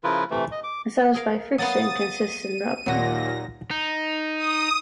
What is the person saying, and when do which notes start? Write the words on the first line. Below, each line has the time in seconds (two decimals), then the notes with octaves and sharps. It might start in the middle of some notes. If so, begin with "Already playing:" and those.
Massage by friction consists in rubbing.
0.04 C#3 F3 E4 F4 A#4 B4
0.31 C3 E3 A3
0.52 D#5
0.63 D6
1.14 G#4 A#4 F5
1.58 F#3 A#3 B3 D#6 A6
2.01 D#7
2.86 D#2 A#2 F#3 F#4 A#6
3.71 D#4
4.37 D#6